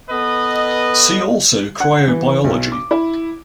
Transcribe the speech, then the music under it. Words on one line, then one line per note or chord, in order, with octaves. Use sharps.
See also cryobiology.
B3 A4 B4 D#5
F#5
E3
B1
D6
E4